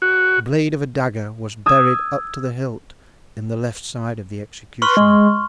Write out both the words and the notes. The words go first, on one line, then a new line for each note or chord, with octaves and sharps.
The blade of a dagger was buried up to the hilt in the left side of the executioner.
F#4
D#6 E6 G#6
B4 C6 C#6 F6
G#3